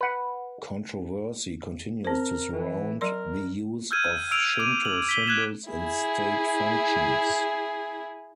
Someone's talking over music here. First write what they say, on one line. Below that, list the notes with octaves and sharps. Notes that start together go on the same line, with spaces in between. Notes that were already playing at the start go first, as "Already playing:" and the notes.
Controversy continues to surround the use of Shinto symbols in state functions.
B4 F#5
C4 A#4 C5
E3
F#3 A#4 D5 C6
E6 F6 G6 G#6 D#7
E6 D7 F7
D6 D#7
F#7
B6 G7
F#6 G#6 E7
E4 G#4